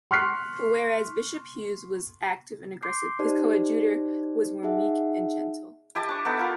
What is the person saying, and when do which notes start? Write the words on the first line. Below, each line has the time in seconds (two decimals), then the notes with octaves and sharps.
Whereas Bishop Hughes was active and aggressive, his coadjutor was more meek and gentle.
0.11 C6 C#6 F6 F#6 B6 C7
2.83 C6 D6 G6 C7
3.19 D#4 G4 C5 D5
4.63 D#4 G#4 E5 F#5
5.95 E4 G4 D#5 A5
6.09 D4 C#6
6.25 B3 D#4 A4
6.37 E4 F4 A#4